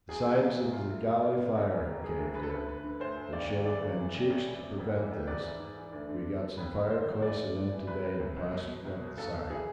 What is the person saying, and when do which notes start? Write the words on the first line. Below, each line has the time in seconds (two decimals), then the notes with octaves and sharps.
The sides of the galley fire have caved in--there should have been cheeks to prevent this; we got some fire clay cement to-day and plastered up the sides.
0.09 E2 G#4
0.25 E1
0.40 E1 E4
0.57 E2
0.73 E3 F4
0.89 A2
1.06 A2
1.22 A2
1.39 C3
1.55 E2
1.71 E3
1.87 E1
2.03 E1 G#4
2.19 D2
2.35 D2 B4
2.43 A4
2.50 D2 B4
2.68 D2 B4
2.84 D3
3.00 D2 C5
3.17 D2
3.33 G#1 D5
3.50 G#1
3.65 E3 D5
3.82 G#1
3.99 E3
4.14 A1
4.30 A1
4.46 E3
4.63 C3
4.78 F2
4.95 E3
5.11 F2
5.27 G#2 D5
5.43 E3
5.60 G#2
5.76 E3
5.93 D2
6.09 D3
6.25 D3
6.41 D3
6.57 F2 B4
6.74 F1
6.90 F1 C5
7.06 F1
7.22 E3 D5
7.39 A2
7.55 A2
7.72 E3
7.87 C2 B4
8.03 C2
8.20 C2
8.36 C2
8.52 B2
8.68 B2
8.85 C2
9.01 B2
9.17 B1 A4
9.34 B1
9.50 E3 G#4